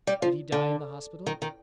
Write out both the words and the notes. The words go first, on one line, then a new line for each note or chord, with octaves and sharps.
'Did he die in the hospital?'
G3
F3
D3
D#3
D#3